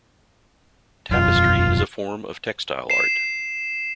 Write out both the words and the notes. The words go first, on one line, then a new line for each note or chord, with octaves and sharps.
Tapestry is a form of textile art.
E1 F#2 F4
C7 E7